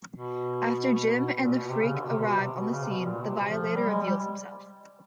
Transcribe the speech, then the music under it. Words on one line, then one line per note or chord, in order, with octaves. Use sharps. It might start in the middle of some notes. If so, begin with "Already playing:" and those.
After Jim and the Freak arrive on the scene, the Violator reveals himself.
B2
B2
A#2
B2
C3
C#3
D3
B2
C3
B2
C3
B2
C#3
C3
B2
A#2
C3
F3
G3
G#3
G3